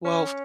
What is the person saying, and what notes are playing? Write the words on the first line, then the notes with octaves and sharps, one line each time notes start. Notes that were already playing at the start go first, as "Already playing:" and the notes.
Well, f
C#4